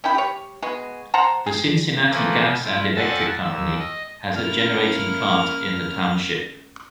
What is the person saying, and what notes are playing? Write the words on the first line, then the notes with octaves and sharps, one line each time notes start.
The Cincinnati Gas and Electric Company has a generating plant in the township.
C#4 E4 G5 B5
G4 C#5
G#3 B3 F#4 G#4
C5 F#5 A5 A#5
G#4
E3 F3 A3 A#3
E4 F4
F2 A4 F#5 G#5 A5 A6
D#2 E6
D#5
A#3 C#4 E4 F6